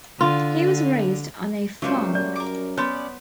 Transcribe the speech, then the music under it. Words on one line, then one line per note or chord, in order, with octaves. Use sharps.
He was raised on a farm.
D3 F4
C#2 F#3 G3 A3 A#3 C5
F#2 D5
A#4 D6
B3 C#4 C#5 D5 B5 C6